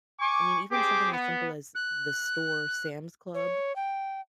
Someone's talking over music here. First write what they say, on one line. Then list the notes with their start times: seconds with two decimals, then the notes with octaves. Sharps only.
I mean, even something as simple as the store Sam's Club,
0.20 G#5 C#6 D6
0.71 C4 G4 G#4 D6
1.12 B3
1.75 F#6
3.34 C#5
3.76 G5